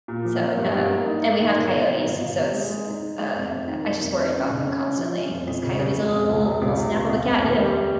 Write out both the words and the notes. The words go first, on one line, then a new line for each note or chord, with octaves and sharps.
So, um and we have coyotes so it's, uh I just worry about them constantly, 'cause coyotes'll they'll snap up a cat and eat 'em.
A#2
F3
A#3
G2
G2
A#3
D#4
A#3
D#3
G1
D#3
D#3
G1
G1
C3
G#3
G#3
D#4
D#4
G#3
F1
F1
D#3
D#3
F1
F1
C#4
C#3
C#4
C#4
F3
C#4
F1
F2
C#3
C#3
F1
F1
C#2
C3
C#2
C3
C#2
C#2
F1
D#2
G3